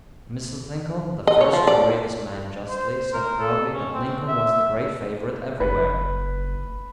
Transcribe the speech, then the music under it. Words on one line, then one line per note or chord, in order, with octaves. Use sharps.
Mrs. Lincoln, the first to weigh this man justly, said proudly, that "Lincoln was the great favorite everywhere."
D#5
C#5
F3
D5
C5
A#4
A4
C#4
C4
E5
F#1 B4